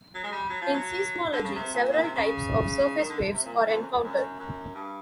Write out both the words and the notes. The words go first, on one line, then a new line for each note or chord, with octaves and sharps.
In seismology, several types of surface waves are encountered.
F#3
G#3
G3
F#3
F3
F#3
D3
C#3
C3
A#2
A#2
C3
C#3
D#3
D3
C3
A#2
G#2
F2
F#2
F2
F#2
F#2
G2